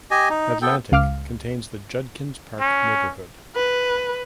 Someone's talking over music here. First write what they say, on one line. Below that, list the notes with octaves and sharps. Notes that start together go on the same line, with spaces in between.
Atlantic contains the Judkins Park neighborhood.
G4 D#5 G#5
D#4
B3 A4 G5
C#2 F5 D6 F6
C#4
B4